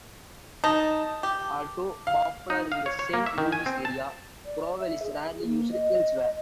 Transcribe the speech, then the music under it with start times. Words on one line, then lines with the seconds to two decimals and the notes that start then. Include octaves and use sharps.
Although popular in the Saint Louis area, Provel is rarely used elsewhere.
0.64 D#4 A5
1.23 G4
2.07 F5
2.50 D#4
2.72 F5
2.86 C#5
2.99 C#5
3.13 A#3
3.26 E5
3.38 D#3
3.52 G#5
3.66 C4
3.85 A5
4.45 D5
4.80 E5
5.03 G#4
5.43 A#3
5.71 D#5